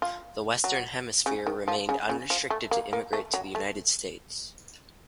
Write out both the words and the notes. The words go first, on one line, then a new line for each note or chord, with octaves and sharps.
The Western Hemisphere remained unrestricted to immigrate to the United States.
F4
F#3
C#3
D#3
F3
C#3
C#3
F3
A3
A#3
A#3
A3
F#3
A3